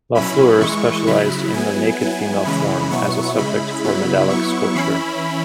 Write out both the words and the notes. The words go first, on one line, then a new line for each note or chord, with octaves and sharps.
Lafleur specialised in the naked female form, as a subject for medallic sculpture.
B2 F#3 C#4 E4 B5
E3 G#3 E4 C#6
C#3 F#3 E4 B5
F#3 B3 E4 G#5
F#3 B3 E4
C#3 E3 G#3 C#4 E4 B5
B2 F#3 B3 E4 C#6
C#3 G#3 E4 B5
C#3 F#3 B3 E4
F#3 B3 E4 C#6
E3 C#4 E4 B5